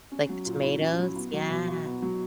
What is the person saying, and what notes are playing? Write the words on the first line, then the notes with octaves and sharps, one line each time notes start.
like the tomatoes. Yeah.
C#4
F#3
A#2
E4
C#4
F#3
B3
F#3
B2
F#4
B3
F#3